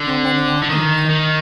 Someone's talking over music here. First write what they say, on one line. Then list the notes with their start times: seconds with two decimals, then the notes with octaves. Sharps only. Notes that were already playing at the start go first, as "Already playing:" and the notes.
"How many are there of them?"
Already playing: D3
0.63 D3
0.70 D#3
1.10 D#3